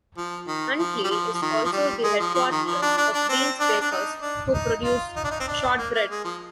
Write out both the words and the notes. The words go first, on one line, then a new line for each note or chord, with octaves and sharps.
Huntly is also the headquarters of Dean's bakers, who produce shortbread.
F3
D#3
F3
G3
F3
F3
D#3
F3
G3
G#3
F3
F3
D#3
F3
D4
D4
D4
C4
D4
D4
D#4
D4
D#4
F4
D#4
D4
D#4
C4
D4
A#3
A#3
G#3
F3